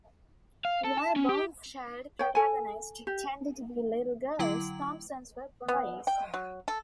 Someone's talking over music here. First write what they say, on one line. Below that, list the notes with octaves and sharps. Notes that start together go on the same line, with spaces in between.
While Baum's child protagonists tended to be little girls, Thompson's were boys.
F5
A4
A5
C#4
G4
C#5 G5
A4 G#5
G4
D3 F#3 E4 G5 D6 F#7
B3
G5
F#3
A4